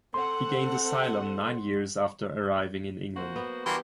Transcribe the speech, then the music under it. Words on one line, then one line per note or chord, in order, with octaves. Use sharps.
He gained asylum nine years after arriving in England.
C4 A4 F#5 C6
A#3 F#4 C5
B3
G2 E3 F#4 G4 A#4 C6